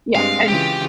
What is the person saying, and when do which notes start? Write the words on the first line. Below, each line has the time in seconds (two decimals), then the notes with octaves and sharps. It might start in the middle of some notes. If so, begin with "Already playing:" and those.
Yeah, and
0.15 G2 G#3 C4 F5
0.48 C#3 E3 F4 G4